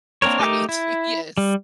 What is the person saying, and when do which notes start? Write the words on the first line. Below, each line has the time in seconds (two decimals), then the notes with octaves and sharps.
Right, yes.
0.22 A#3 C4 D4 A#4 C#5
0.39 A3 D#4 G4 A#4 D6
0.69 E4
1.38 G3